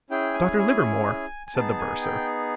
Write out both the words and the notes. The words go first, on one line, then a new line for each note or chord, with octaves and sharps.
"Dr. Livermore?" said the bursar.
C#4 E4 G#4 G5
G#5
G#5
G#5
B3 D#4 G#4 A5
G#5
G5